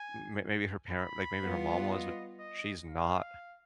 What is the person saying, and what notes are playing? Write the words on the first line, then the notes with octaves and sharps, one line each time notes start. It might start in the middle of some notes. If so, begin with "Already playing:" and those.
m m maybe her parent like, maybe her mom was, but she's not,
Already playing: G#5
B5
G3 B3 F4
D#5
D#5
F5